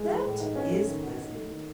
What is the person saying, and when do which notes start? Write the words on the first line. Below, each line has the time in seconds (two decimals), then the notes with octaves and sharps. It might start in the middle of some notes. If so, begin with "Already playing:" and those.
That is pleasant!
Already playing: G#3 A3
0.09 E3
0.25 A2
0.40 D#4
0.56 C#4
0.71 A3
0.87 D#3
1.03 F#4
1.18 D#4
1.35 A3
1.50 D#3